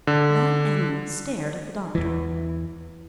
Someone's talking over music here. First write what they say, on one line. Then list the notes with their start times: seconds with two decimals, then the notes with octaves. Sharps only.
Van Emmon stared at the doctor.
0.07 D3
1.95 E2 E3